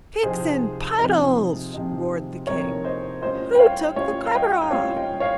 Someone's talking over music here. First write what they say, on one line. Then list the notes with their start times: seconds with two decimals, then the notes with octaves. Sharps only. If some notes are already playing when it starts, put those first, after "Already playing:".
"Picks and puddles!" roared the King; "who took the cover off?"
0.23 C3 F3 C4 D#4 G#4 C5
0.98 C3 F3 C4 D#4
1.73 C3 F3 C4 D#4
2.47 C3 F3 C4 D#4 A#4 C#5
2.85 C5 D#5
3.22 G3 C#4 F4 C5 D#5
3.55 G5
3.59 C#5 F5
3.96 G3 C#4 F4 C#5 F5
4.26 F5
4.34 D#5 G5
4.62 G5
4.71 G3 C#4 F4 C#5 F5
4.97 D#5 G5
5.20 C#5 F5